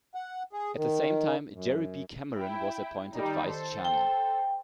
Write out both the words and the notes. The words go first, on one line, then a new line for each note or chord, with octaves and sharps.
At the same time, Gerry B. Cameron was appointed vice chairman.
F#5
G#4
D#3
F#2
E4 G5
D#3 G3 D#4
A4 C5
G5